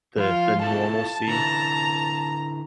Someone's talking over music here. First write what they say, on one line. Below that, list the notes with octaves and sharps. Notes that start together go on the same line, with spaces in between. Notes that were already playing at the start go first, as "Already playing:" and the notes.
the the normalcy,
F3 F4
E4 F4 A4 A5
D3 E4 B4 A#5